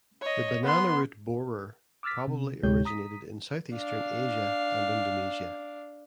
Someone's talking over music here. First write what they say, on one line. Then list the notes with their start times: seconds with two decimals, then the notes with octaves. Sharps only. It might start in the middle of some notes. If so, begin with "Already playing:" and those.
The banana root borer probably originated in southeastern Asia and Indonesia.
0.21 C#5 D#5
0.63 B3 C6
2.03 D6 E6 F6 A6 B6
2.28 C3
2.63 D2 C3 G#3 G4 C#5 G6
2.85 A#5 D#6 B6
3.74 D4 F5